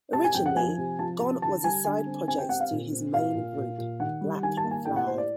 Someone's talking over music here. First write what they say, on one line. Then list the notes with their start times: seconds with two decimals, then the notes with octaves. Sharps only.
Originally, Gone was a side project to his main group, Black Flag.
0.13 C3 A5
0.24 G#5
0.34 F2 G5
0.46 F#5
0.56 F3 G#5
0.78 C3
0.99 F3 A5
1.21 C3
1.42 D3 A5
1.64 G3 G#5
1.85 D3 G#5
2.06 C4
2.28 C4 G#5
2.38 G5
2.49 C4 F#5
2.60 F5
2.71 A#2
2.92 C4
3.14 A#2 F5
3.35 A#2
3.57 A#2
3.78 A#2
4.00 D#3 F#5
4.21 G3
4.43 D#3 G#5
4.57 A5
4.64 A#3
4.71 G#5
4.85 A2 G5
4.96 F#5
5.07 A2 C5
5.18 D5